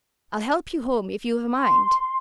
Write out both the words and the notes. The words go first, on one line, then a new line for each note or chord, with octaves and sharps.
"I'll help you home if you've a mind."
C6